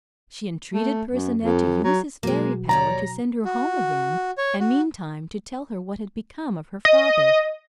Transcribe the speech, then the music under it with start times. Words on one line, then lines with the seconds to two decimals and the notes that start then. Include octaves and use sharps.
She entreated Percinet to use his fairy power to send her home again, and meantime to tell her what had become of her father.
0.74 A3
1.11 F#2
1.42 F2
1.84 F#3
2.23 B2 F#3 G#3 A#3 F#4
2.69 D#2 C#5 D5 A#5
3.45 F#4
4.38 C#5
4.60 F#4
6.85 D#5